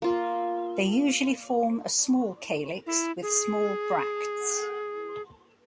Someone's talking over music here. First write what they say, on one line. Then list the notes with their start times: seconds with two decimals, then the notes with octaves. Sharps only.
They usually form a small calyx with small bracts.
0.02 A#3 F4
2.86 E4
3.22 G#4